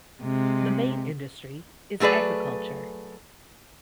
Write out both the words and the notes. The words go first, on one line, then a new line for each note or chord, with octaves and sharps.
The main industry is agriculture.
C3 G#3
F#3 A3 G#4 B4 D5